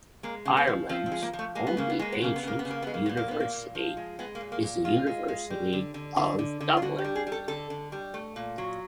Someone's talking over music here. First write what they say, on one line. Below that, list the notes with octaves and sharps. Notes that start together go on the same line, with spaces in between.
Ireland's only ancient university is the University of Dublin.
G#3 A#3
C#3
B3
F3
F3 C4
C4
G#3
A#3
F3
A3
G#3 A#3
B3
C#3 A#3
B3
G#3 A#3
B3
C#3 A#3
B3
C#3 A#3
B3
C#3
A#3
G#3 B3
A#3
A#2 B3
A#3
A#2 B3
A#3
A#2
F3
G#3
G#3 B3
A#3
A#2
A#3
A#2
G#3 F4
G#3
G#3
G3
D3
D3
D3
D3
D3
F4
D3 F#4
G4
G3
G#4
G3
A4
D3 A4
D3
G3
A3
A#2
F#3